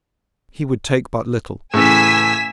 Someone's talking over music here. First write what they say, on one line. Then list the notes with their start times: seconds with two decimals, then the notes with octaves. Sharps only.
He would take but little.
1.74 A2 C#3 E3 G#5 E6 B6